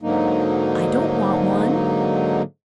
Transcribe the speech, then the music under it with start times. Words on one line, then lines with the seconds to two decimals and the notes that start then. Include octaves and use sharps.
"I don't want one."
0.01 G#2 D3 F#3 A#3 D#4